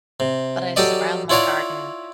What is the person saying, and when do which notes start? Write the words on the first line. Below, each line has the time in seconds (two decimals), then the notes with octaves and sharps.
but I surround my garden
0.20 C3
0.76 F#3 G4 A4 D5 D#5
1.30 E4 F4 C#5 D5 F#5 A#5